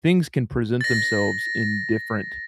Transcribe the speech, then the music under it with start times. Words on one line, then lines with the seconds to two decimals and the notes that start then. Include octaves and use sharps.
things can present themselves in different
0.81 A6 A#6